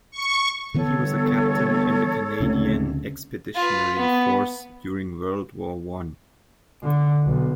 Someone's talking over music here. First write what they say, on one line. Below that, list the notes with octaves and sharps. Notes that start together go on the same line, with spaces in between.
He was a captain in the Canadian Expeditionary Force during World War One.
C#6
D3 E3 B3 A4 C#5
G1
F1 D2 C#3 C#4
F4 B4
B3
D3
B1